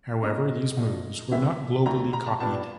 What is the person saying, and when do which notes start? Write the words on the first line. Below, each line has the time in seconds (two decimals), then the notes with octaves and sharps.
However these moves were not globally copied.
0.23 G#2 F3 A#3 C#4 D#5
0.77 A#2 F3 A3
1.31 D#2 C#3 E3 G#3 C4 E5
1.86 D#2 D3 F3 A3 A#5
2.13 A#5
2.26 A5
2.40 A#2 G3 B3 D4 A5